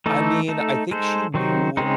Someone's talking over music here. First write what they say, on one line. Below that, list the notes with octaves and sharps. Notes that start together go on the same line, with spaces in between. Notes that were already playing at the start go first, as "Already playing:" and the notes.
I mean, I think she knew
E3 A3 D#4 A4
A3 D#4 A4
G#3 D#4 A4 C5
D#3 F#3 C4 D#4 F#4
C#3 G#3 C4 D#4